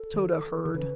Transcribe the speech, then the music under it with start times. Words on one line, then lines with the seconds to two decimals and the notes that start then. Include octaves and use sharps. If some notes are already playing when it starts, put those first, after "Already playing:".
Tode heard.
Already playing: A4
0.14 D#3
0.65 D#3 A4
0.74 C#3 B4